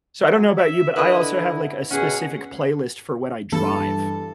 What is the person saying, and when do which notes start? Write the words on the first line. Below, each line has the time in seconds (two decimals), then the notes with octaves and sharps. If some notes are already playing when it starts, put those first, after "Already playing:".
So, I don't know about you, but I also have, like, a specific playlist for when I drive.
0.21 F#3
0.58 E5
0.96 D3 E4 B4 D#5
1.91 B2 C#4 G#4 F#5
3.52 G2 E3 A4